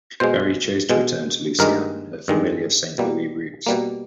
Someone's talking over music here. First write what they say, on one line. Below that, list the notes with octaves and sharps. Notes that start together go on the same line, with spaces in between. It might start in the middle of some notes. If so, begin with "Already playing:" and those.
Berry chose to return to Lucy Ann and her familiar Saint Louis roots.
B2 G#3 C5
B2 G#3
G2 D#3 G#3 A#4
G2 D#3 G#3
B2 G3 A#3
B2 G3 A#3